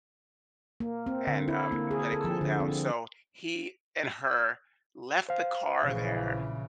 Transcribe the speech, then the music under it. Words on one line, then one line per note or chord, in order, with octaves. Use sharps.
and, um, let it cool down. So he and her left the car there,
A#3
C4
D3
E4
A#3
G#4
A4
F3
D3
C4
C5 F5
A#1 C#3 E3